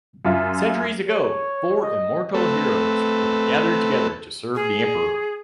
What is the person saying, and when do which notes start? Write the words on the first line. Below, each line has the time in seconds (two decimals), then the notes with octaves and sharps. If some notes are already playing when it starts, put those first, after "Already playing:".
Centuries ago, four immortal heroes were gathered together to serve the emperor.
0.25 F#2 F4 E5
1.10 C#5
1.82 D#5
2.34 A3 C4 A4 B4
4.55 G#4